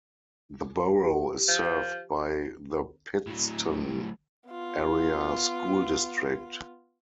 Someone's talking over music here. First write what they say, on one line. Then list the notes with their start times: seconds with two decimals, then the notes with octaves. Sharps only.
The borough is served by the Pittston Area School District.
1.06 G4
1.48 F3
3.27 A2 F#3
4.50 B3 F4